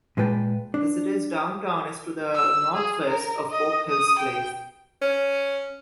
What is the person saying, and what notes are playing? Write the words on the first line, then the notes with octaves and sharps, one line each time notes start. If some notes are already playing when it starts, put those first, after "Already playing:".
The city's downtown is to the northwest of Oak Hills Place.
A#2 G#3 F4 B4 G5 A5
D4
E6
G#4
A#4
D#5
D#6
G5
C#4